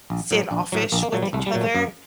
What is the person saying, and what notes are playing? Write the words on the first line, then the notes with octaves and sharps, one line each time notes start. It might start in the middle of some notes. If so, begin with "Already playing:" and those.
standoffish with each other,
A#1
A2 F#3
A#1 D4
A2 F#3
A#1 A#3
A#3
A#2 F#3 A3
G3
C2 A3
G3
A#2 F#3
A3
F#2 A#3